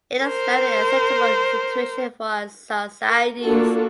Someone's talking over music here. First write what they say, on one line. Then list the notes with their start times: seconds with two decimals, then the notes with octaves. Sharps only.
It is not an acceptable situation for our societies"".
0.23 A#4 C5
3.07 A#4
3.43 A#3 D4 F4 F#4 A4